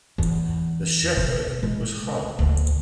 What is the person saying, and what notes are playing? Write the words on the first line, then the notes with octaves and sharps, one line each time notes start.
The Shepherd was Hogg.
E2
B2
G#3
D2